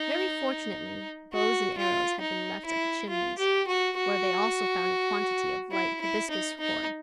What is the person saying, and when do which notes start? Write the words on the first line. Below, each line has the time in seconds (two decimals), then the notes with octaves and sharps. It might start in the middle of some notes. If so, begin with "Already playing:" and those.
Very fortunately bows and arrows had been left at the Chimneys, where they also found a quantity of light hibiscus cord.
Already playing: D#4
1.33 F#4
1.78 F4
2.21 D#4
2.66 E4
3.09 F4
3.38 G4
3.68 F#4
3.97 F#4
5.72 E4
6.01 E4
6.30 D#4
6.60 D#4